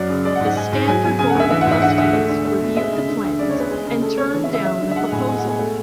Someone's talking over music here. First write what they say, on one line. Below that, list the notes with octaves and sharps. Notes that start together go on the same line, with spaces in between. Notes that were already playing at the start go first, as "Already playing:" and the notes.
The Stanford Board of Trustees reviewed the plans and turned down the proposal.
Already playing: F#2 F#3 D5
C#3
G#3 D5
F#5
G#2
F#5
G#3 G#5
G#2
F#3 G#5
B2 G#5
C#3 G#5
F#5
D2
E5
E3 E5
F#5
G#2 E5
D3 F#5
D2 E5
A3
D3
A3
B2
G#3 E5
C#3
D3
D2
C#3 D5
C#5
E2
B4
G#3
C#3
A3 A4
B2 C#5
E3
E5
C#3
E5
F#3 E5
D3
E5
G#3 F#5
A2 G#5
G#3 G#5
F#5
B2
G#5
A3